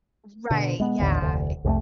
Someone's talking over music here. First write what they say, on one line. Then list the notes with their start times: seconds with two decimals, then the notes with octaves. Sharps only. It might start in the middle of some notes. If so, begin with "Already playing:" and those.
r right, yeah i
0.50 B2 D3
0.80 G#3 B3
1.00 A1 D#2 D3
1.22 F1 D2
1.65 C2 F2 G#3 A3